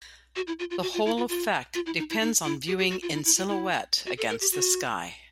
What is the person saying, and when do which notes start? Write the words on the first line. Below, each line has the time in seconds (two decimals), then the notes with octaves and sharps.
The whole effect depends on viewing in silhouette against the sky.
0.36 F#4
0.47 E4
0.59 F4
0.71 F4
0.82 F#4
0.94 F4
1.06 E4
1.17 F4
1.29 F4
1.75 F4
1.86 E4
1.98 D#4
2.10 E4
2.21 D#4
2.44 E4
2.68 G4
2.79 G4
2.90 F#4
3.02 F4
3.14 E4
3.25 E4
3.37 F4
3.48 E4
4.06 F#4
4.18 A4
4.30 A#4
4.41 G4
4.52 F#4